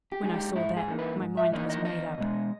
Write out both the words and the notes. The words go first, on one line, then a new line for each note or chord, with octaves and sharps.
When I saw that, my mind was made up.
G4
G#3 D#4 G#4
G4
G#2 E4
G#4
E3 A#3 D#4
B4
G#2
E5
E3 A#3 D#4 D#5
D#5
E2 D#5
B2 G#3